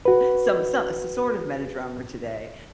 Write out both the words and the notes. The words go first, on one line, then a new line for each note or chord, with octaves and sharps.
Some so s sort of met a drummer today,
F#4 B4